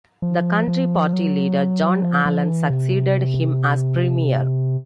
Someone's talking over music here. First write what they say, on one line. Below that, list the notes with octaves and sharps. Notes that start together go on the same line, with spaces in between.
The Country Party leader, John Allan, succeeded him as Premier.
F3
F3
F#3
F3
F3
E3
C3